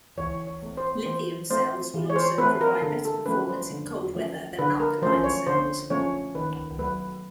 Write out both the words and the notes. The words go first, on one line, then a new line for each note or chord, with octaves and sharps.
Lithium cells will also provide better performance in cold weather than alkaline cells.
E3 C#5
C#5
A3 C4
C5
E3 C5
A3 C4 C5
E3
C#5
C5
A3 C4 B4
A#4
D3 A4
A4
F3 A3 C#4 B4
C5
D3
F3 A3 C#4
D3 B4
A#4
F3 A3 C#4 C5
C#5
D3 C5
F3 A3 C#4 C#5
D#3 B4
F#3 A3 B4